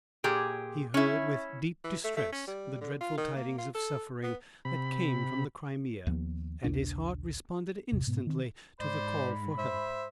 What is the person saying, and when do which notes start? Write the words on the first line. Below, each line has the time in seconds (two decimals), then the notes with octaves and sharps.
He heard with deep distress the dreadful tidings of suffering that came from the Crimea, and his heart responded instantly to the call for help.
0.24 A#2 G4 G#4
0.94 C#4 E4
1.84 E3
2.04 A3
2.17 A3
2.32 C#4
2.47 G3
2.81 D3
3.01 F4
3.18 D#3
3.36 A#3
3.58 F4
3.74 A4
4.23 B3
4.65 C3 B5
6.07 D#2 F3 B3
6.64 A#1 D#2 C#3 D4
7.92 A1 E2 C3
8.07 G#2 B2 B3
8.27 D#3 C4
8.80 G#2 C5 D5 B5
9.58 C5 E5